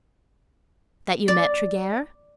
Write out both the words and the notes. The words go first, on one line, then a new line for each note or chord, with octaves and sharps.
"That you met Tregear?"
D5